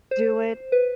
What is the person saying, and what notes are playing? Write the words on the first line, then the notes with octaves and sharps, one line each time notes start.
do it.
C5
B4